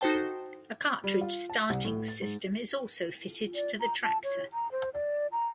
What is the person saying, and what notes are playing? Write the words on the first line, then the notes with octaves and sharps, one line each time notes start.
A cartridge starting system is also fitted to the tractor.
D#4 F#4 A4 C5 G5 A5
G3
F4
A5
C2
A2
A6
G#2
D5
A#5
A5
C#5
A#5
C5
D5
A#5